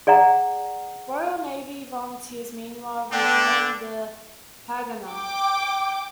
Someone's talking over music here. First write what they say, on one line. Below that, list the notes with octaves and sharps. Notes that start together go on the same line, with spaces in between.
Royal Navy volunteers, meanwhile, rejoined the Haganah.
G#4 D5 F#5 A#5
D3 B3 D4 G5
G5 D6